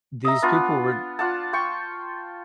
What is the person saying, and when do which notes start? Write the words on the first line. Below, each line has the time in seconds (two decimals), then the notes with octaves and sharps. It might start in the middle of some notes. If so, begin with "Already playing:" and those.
these people were
0.25 D#5 E5 A#5
0.42 B3 D4 F4 F#5
1.19 F4 D5 F#5 A5
1.53 G5 C6 C#6